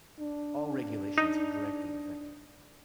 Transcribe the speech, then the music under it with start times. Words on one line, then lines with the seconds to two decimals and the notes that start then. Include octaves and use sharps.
All regulations are directly effective.
0.20 D4
1.18 D#4